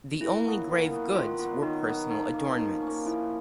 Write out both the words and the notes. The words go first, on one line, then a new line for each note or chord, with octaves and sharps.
The only grave goods were personal adornments.
A#2 E4
F#3 B3
A#2
F#3 B3
D#3 F4
F#3 B3 F4
D#3 D#4
F#3 B3
F3 D#4
A#3 C#4
F3 D#4
C#4
A#3
F3 E4